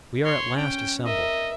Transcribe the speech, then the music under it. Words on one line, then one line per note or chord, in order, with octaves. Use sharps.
We are at last assembled.
C#5 C6
C#4 G5
A#4 D#5 E5